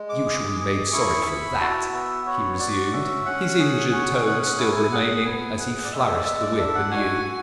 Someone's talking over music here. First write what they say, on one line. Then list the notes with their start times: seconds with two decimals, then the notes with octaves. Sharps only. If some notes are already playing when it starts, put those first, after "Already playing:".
"You shall be made sorry for that!" he resumed, his injured tone still remaining, as he flourished the whip anew.
Already playing: G#3
0.09 D6
0.26 G#4
0.60 G#4
0.93 E4 C#6
1.26 E4 B5
1.60 F#4 A5
1.92 B3 E5
2.26 F#4 C#5
2.59 F#4 D5
2.93 C#4 E5
3.26 C#4 F#5
3.60 G#4
3.93 C#4
4.25 G#4 F#5
4.42 F#5
4.58 E4 G#5
4.76 G#5
4.92 G#4 F#5
5.25 B3 G#5
5.58 G#4 F#5
5.84 D5
5.92 G#3 E5
6.16 D5
6.24 G#3 E5
6.42 D5
6.59 D4 E5
6.75 F#5
6.91 F#4 G#5
7.25 F#4